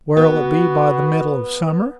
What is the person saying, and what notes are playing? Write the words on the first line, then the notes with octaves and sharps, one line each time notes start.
Where'll it be by the middle of summer?
B3 F#4